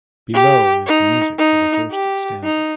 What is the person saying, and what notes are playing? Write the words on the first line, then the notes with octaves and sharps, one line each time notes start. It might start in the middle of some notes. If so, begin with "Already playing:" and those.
Below is the music for the first stanza.
G4
D#4
D#4
G4
D#4